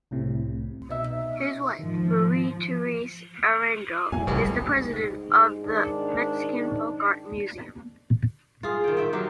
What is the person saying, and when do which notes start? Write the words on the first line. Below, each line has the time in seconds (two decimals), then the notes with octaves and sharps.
His wife, Marie-Therese Arango, is the president of the Mexican Folk Art Museum.
0.11 C2 A2 C3
0.89 B2 D#4 E5
1.79 G#2 D#3 F3
4.12 E2 G#5
4.27 F1 C2 A2 G3 G#3
4.74 G#2
5.64 D#3 D4
8.63 F4 G#4
8.84 D#3 G5
8.97 E5 G5
9.13 F#3 G4 F5